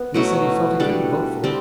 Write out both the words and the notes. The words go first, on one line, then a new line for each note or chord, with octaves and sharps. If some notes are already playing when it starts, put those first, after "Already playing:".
And he said he felt he couldn't vote for it.
Already playing: B3
B2 F#3 A3 E4
G3 D4 A4
G3 C4